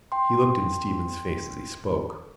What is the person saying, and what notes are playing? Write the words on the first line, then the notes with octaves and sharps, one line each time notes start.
He looked in Stephen's face as he spoke.
G5 C6